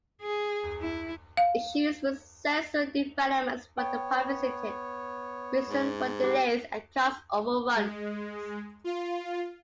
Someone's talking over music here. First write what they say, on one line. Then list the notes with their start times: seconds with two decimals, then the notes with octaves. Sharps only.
Issues with sensor developments were the primary cited reason for delays and cost-overruns.
0.21 G#4
0.81 E4
1.37 F5
3.77 B3 C#5 G5
5.68 G#2
6.23 G4 B4 F#5
7.76 G#3
8.84 F4